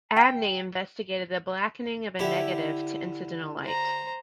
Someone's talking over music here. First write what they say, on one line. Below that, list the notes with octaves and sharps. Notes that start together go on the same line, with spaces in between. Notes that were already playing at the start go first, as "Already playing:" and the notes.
Abney investigated the blackening of a negative to incidental light.
G5
D3 E4 G4 E5
C5 A#5